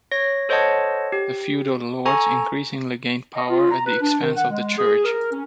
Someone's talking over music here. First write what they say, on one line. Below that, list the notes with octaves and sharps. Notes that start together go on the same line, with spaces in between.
The feudal lords increasingly gained power at the expense of the church.
C#5 A#6
A4 C5 C#5 D#5 F#5 A5
G4
A4 G#5 A#5 C#6
D#5
F4
A#5
B4
D4
D#3
F#5
G#3
G#4
A#4
C#4